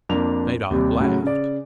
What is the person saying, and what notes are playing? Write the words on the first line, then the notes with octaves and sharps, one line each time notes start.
Zadok laughed.
F2 A#3 D4 F7
D#2 C3 G3
A2 C#3 F#3
C#3 D5